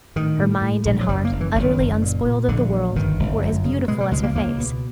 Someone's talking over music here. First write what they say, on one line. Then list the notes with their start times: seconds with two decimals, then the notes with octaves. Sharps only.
Her mind and heart, utterly unspoiled of the world, were as beautiful as her face.
0.16 A2 D#3
0.39 A2
0.62 A2
0.85 A#1
1.01 F#3
1.08 F#1 G3
1.25 A#3
1.32 F#1
1.41 E3
1.55 F#1 D#3
1.79 F#1
2.02 A#2
2.26 A#2
2.48 A#1 D3
2.72 A#2
2.96 G1 D#3
3.19 G1
3.42 F#2
3.65 C#3
3.88 B2 G#3
4.00 G3
4.11 C#2 G#3
4.23 A#3
4.35 C#2 A#3
4.58 B2